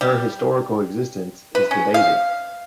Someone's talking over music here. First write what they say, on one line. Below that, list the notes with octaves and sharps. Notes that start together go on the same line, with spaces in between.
Her historical existence is debated.
G3
B4
C#4
F5